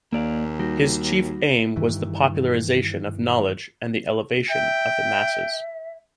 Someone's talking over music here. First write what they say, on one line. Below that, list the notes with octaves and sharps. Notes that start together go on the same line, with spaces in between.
His chief aim was the popularization of knowledge and the elevation of the masses.
D#2 A#3 D5 F5
G3 D#4 F#4
G2 D#3 E3
E5 G5